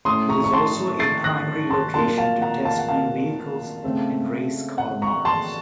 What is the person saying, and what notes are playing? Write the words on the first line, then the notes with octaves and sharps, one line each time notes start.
It is also a primary location to test new vehicles and race car models.
A2 A3 C#4 C6 D#6
A#5 C#6
C#6
A5 C6
A6 C7
F#6 A#6
A5 C6
A#2 F#3 A#3 A5 C6
F5 A5
F#5 A#5
F5 A5
F#5
F5 A5
C#3 A3 C4
F#5
A#5 C#6
A5 C6